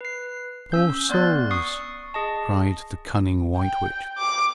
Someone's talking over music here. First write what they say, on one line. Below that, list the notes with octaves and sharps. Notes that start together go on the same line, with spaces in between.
"Poor souls!" cried the cunning white witch.
B4 C7
C#4 E6 G6
B3 D5 C6 F#6 A6
C#6 D#6 C7
G#4 D#5 A5
G5
D6